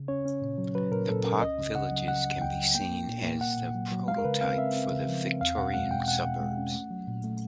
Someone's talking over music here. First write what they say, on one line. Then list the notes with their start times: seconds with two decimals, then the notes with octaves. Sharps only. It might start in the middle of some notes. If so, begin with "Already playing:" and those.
The park Villages can be seen as the prototype for the Victorian suburbs.
Already playing: C#3
0.08 C#4 C#5
0.25 C#4
0.42 A#2
0.58 F#3
0.75 F#3 B4
0.91 A#2 A#4
1.08 A#2 A4
1.25 C#4 A#4
1.42 C#2 D#5
1.58 C#3
1.75 C#3 F#5
1.91 F#3
2.08 C#3 F#5
2.25 C#3
2.41 C#2 G5
2.58 F#3
2.75 A#3 G5
2.92 A#3
3.08 A#2
3.25 A#3
3.41 A#3 F#5
3.58 A#2
3.75 F#3
3.91 F#3
4.08 G#3 F5
4.18 A#4
4.24 C#3 B4
4.41 C4 F5
4.58 C4 E5
4.74 C4
4.91 C#3
5.07 F3
5.24 C4
5.41 E2 F5
5.57 B2 F#5
5.74 G#3 F#5
5.91 B2 G5
6.08 B2 F#5
6.24 B2
6.41 G#3
6.57 C#4
6.74 A3
6.91 F#3
7.07 A#2
7.24 A3